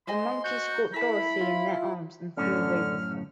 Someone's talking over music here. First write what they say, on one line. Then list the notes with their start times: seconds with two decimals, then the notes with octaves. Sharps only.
The Monkeys caught Dorothy in their arms and flew away with her.
0.07 C5 D#5 G#5 C6
0.44 F#4 G6
0.94 E4 A4 A5 B5 B6
1.41 F4
2.37 F#2 A2 D3 C#4 F6